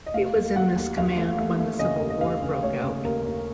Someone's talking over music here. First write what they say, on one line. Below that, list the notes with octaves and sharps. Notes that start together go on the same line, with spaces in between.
He was in this command when the Civil War broke out.
D#5
A3 F5
D#2
D#2 F#5
D#2
D#2 F5
A3
A3
A3
C#3 D#5
D#2
D#5
D#2 F5
C#3
A3 C#5
C#3
D#2 A#4
D#2